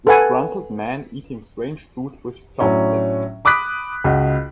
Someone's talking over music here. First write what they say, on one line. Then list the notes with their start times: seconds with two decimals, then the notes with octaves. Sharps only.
Disgruntled man eating strange food with chopsticks.
0.07 A4 B4 F#5 G#5
2.60 A2 F#3 C#4 D4
3.45 B5 D6 D#6 F#6 B6
4.04 C#2 F#4 D#5